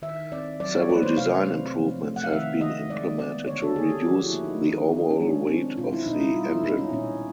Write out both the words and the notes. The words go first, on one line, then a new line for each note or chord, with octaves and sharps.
Several design improvements have been implemented to reduce the overall weight of the engine.
D#3 E5
C4 D5
F#3 D5
C#5
A3 B4
C5
C3 F5
C4
F3
A3
F#5
F5
D#3 E5
D#3 D#5
G#3 D5
B3 D5
D3 C#5
A4
D3 G#4
G4
F3 F#4
E4
A#3
D#4
D#3
D#3
C#4
G#3 D4
C4
B2 F4
E4
B2 D#4
E4
G3 F4
E4
B3 D#4
C#4
A#2 C#4